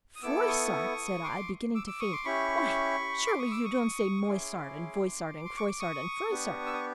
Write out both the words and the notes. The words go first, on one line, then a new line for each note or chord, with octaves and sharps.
"Froissart!" said I, beginning to faint, "why, surely you don't say Moissart, and Voissart, and Croissart, and Froissart?"
D#6
B3 E4 A4 D6 E6
C#6 D#6
C6 D6
D6 E6
D6 E6
C#6 D#6
C6 D6
C#4 E4 G4 B5 C#6
C6 D6
C#6 D#6
D6 E6
C#6 D#6
D#6
C#4 E4 G#4 C6 D6
C6
C#6
D6
C#6 D#6
B3 D4 G4
E6
D#6